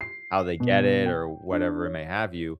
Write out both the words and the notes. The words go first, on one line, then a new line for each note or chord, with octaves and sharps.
how they get it or whatever it may have you,
C7
B2
G5
D4
C#5